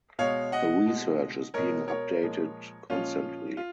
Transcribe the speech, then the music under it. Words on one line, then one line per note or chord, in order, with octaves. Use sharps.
The research is being updated constantly.
B2 G#3 C#5 F5
D#5 F#5
B2 G#3
B2 G#3 A#4 C#5
A#4 C#5
A#2 F3 G#3
A#2 F3 G#3 C#4 F4
F4